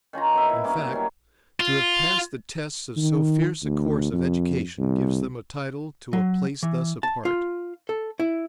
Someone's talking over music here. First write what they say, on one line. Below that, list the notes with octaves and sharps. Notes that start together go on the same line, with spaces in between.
In fact, to have passed the tests of so fierce a course of education gives them a title to a place thus apart.
D#3 C#4 F4 A#5
B3 D#4 E5
E4
G2 A#3 C#4 D6
D#3 F#3 G3 C#4
F4
D#3
D2
F2
C2
F#3
E3
A5
F4
A4
E4